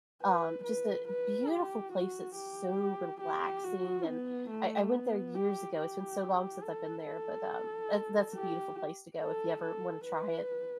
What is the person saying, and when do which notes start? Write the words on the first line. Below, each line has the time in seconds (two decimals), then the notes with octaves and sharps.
Um, just a beautiful place. It's so relaxing, and I I went there years ago. It's been so long since I've been there, but, um, eh, that's a beautiful place to go if you ever wanna try it.
0.22 B4
0.64 B4
1.08 B4
1.50 G4
1.92 F#4
2.36 G4
3.21 G4
3.64 F#4
4.07 B3
4.50 A3
4.92 B3
5.35 G4
5.77 G4
6.63 A4
7.06 A4
8.35 G4
9.20 A4
9.62 A4
10.06 B4